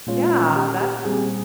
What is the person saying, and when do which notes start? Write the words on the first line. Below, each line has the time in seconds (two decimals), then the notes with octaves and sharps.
Yeah, that's
0.07 A#2 G#3 C#4 F4
0.56 G4
0.81 G4
1.04 A#2 G3 C4 G#4